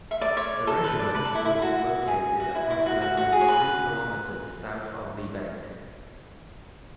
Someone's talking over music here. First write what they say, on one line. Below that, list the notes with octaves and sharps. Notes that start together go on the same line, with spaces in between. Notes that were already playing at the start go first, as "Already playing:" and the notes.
The regiment was located approximately three kilometers south of the base.
E5
D5
C#5
A4
B4
D5
B4
A4
E4
E4
F#4
G#4
F#4
E4
E4
F#4
F#4
F#4
G#4
C#5
B4